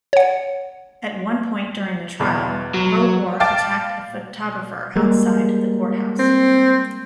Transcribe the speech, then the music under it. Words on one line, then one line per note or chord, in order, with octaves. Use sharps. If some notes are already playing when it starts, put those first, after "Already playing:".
At one point during the trial, Vohor attacked a photographer outside the court house.
C#5 F#5
E2 B2
F#3
F5 G5 A5 D6 A6
G3 G#3 A#3
C4